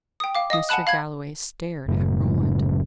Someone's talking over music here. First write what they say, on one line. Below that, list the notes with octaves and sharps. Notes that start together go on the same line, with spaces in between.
Mr. Galloway stared at Roland.
G5 D#6
F5 D6
D#5 F5 D#6
F#5 G#5 A5 B5 F#6
F5 B5 G#6
F#1 F#2 A2 C#3